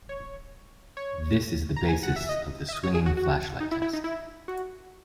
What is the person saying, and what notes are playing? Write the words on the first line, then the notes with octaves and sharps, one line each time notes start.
This is the basis of the "swinging-flashlight test".
C#5
C#5
A#5
G#5
F#5
E5
D#5
E5
D#5
C#5
G#4
F#4
F#4
D#4
E4
E4
D#4
E4
F#4